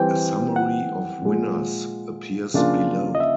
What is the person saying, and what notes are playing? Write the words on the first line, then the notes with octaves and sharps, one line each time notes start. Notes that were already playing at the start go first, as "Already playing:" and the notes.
A summary of winners appears below.
Already playing: E3 G3 C4 G5
F#5
A#2 F3 G#3
C#3 F3 A#3 D4 F4
D#5
E5